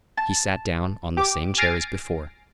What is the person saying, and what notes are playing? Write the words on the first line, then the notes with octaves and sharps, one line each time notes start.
He sat down on the same chair as before.
A5
G4 D6
G#5 F6 A6 A#6 C7 D7